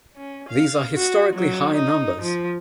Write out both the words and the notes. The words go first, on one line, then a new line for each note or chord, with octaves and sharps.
These are historically high numbers.
C#4
F5
F#4
F#3
D#4
F3